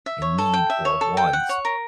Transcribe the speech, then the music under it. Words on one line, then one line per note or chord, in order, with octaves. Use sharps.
I need or want,
E5
C#5
A4
G5
E5
C#5
A4
G5
F#5
C#5
A#4